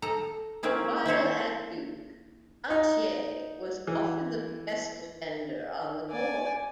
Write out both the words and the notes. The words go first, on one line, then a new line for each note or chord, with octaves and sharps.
While at Duke, Battier was often the best defender on the court.
A4 A#5
A#3 C4 C#4 E4 G#4
C4 E4 C5 C#5
D#4
E3
D5 G#5